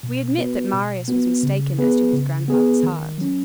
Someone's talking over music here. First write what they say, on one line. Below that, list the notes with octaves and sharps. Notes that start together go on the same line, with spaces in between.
We admit that Marius was mistaken as to his grandfather's heart.
B2
B3 F#4 B4
B2
B3 F#4 B4
C#3
B3 G#4 B4
C#3
B3 G#4 B4
D#3
F#3 C#4